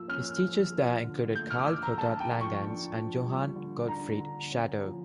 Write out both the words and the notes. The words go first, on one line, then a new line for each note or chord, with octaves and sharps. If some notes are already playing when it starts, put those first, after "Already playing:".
His teachers there included Carl Gotthard Langhans and Johann Gottfried Schadow.
Already playing: F3 A#3 E6
C#4 F6
F3
F3
D3
A3 G6
F6
D6
D3 E6
A#5
A3 A5
G5
F3
C#6
D4
F3
G3
D3
D4 A#5
D3
C#4
F3